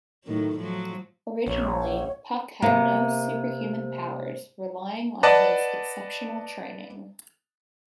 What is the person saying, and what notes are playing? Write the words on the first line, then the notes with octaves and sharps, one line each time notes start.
Originally, Puck had no superhuman powers, relying on his exceptional training.
A2 D#3 F#3
A2 F3 F#3
A#1 C#5
C3 A#3 B3
B4 D5 D#5 F#5 A5